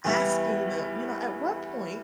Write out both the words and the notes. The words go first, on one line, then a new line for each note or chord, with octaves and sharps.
asking them, you know, "At what point
E2 E3 G3 B3 E4